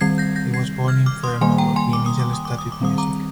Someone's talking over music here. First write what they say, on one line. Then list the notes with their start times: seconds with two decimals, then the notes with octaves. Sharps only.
He was born in Fermo where he initially studied music.
0.01 D#3 G3 C4 G#6 C7
0.18 G6 A#6
0.36 G6 A#6
0.54 G#6 C7
0.88 F6 G#6
1.06 D6 F6
1.24 C6 D#6
1.41 D#3 G3 A#3 G#5 C6
1.58 G5 A#5
1.76 G#5 C6
1.93 D6
2.06 D#6
2.19 D6
2.33 D#6
2.45 D6
2.59 D#6
2.72 D6
2.81 D#3 G3 C4 D#6
2.98 A#5 D6